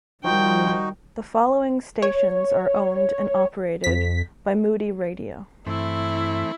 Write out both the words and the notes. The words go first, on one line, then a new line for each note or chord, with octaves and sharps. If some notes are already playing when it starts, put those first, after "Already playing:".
The following stations are owned and operated by Moody Radio.
D#3 F3 G3 D#4 F#4 G5
C#5
F2 B6
G2 E3 A3 C4 E4